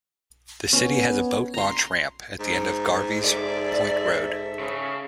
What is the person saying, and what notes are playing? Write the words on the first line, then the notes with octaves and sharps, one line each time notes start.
The city has a boat launch ramp at the end of Garvies Point Road.
B3 C#4
A#5 C6
G#2 D#4
A4 D5 E5
C#3